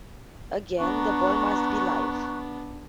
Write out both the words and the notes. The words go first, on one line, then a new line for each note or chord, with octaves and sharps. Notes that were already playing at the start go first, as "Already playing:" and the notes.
Again, the ball must be live.
B3 D4 A#5 C#6 F#6